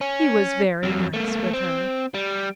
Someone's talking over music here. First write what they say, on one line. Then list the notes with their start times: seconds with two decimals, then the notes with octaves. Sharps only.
He was very nice with her.
0.01 C#4
0.83 F2 F#3
1.14 A3 A#3
1.53 C4
2.14 G3